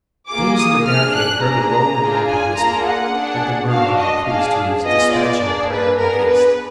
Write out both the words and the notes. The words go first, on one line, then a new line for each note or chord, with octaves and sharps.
Those in the barricade heard a low and rapid whisper, like the murmur of a priest who is despatching a prayer in haste.
A#3 F4 G#4 D6
D#6
D4 G#4 F6
F#6
A#3 D4 G#4 A#5
D4 F4 G#4
G#5
A#3 D4 F4 G#4 A#5
F#5
D4 G#4
D4 F#4 F5
D#5
D4 G#4 F5
B3 F4 G#4 D#5
D5
A#3 D4 G#4
B4
B3 D4 G#4 A#4
B4